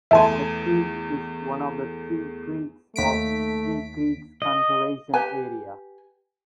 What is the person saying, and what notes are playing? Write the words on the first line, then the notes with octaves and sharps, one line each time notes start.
The creek is one of the "three creeks" of Three Creeks Conservation Area.
E2 A3 E5 G#5 A5 C6
D#2 A3 B6 D7
D#5
G4 B4 G#5